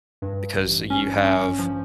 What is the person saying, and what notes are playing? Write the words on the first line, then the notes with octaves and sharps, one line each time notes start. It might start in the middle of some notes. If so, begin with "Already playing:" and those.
because you have
G2
A1
C#4
C#4
F3